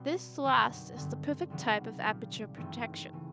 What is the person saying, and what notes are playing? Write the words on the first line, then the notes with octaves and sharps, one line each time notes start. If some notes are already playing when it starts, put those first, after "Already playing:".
This last is the perfect type of aperture protection.
Already playing: B2 G3 C4
G1 F#2 D#3 F#3
G2 D3 G3 C4
C#2 C3 D#3 F#3 B3
A#2 G3 A#3
G#1 G2 E3 A3 C4
C#3 E3